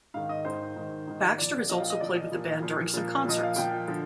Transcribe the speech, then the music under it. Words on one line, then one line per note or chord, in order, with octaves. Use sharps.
Baxter has also played with the band during some concerts.
G#2 D#3 F5
D#5
G#2 D#3 C5
G#2 D#3
G#2 D#3
A#2 F3 D5
A#2 F3 D#5
F5
D#5
A#2 F3 D5
D#5
A#2 F3
A#2 F3
A#2 F3
A#2 F3 D#5
F5
A#2 F3 G5
D3 F3